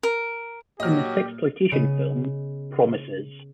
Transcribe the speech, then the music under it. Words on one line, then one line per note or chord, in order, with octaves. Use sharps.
In the sexploitation film Promises!
A#4
A#2 F#3 G4 D#5 F6
C#3 B3 D#5 D#7